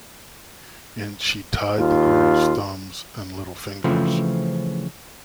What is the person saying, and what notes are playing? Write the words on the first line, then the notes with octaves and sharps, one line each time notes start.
And she tied the girl's thumbs and little fingers.
D#2 F4
C#3 E3 F3 A3 C4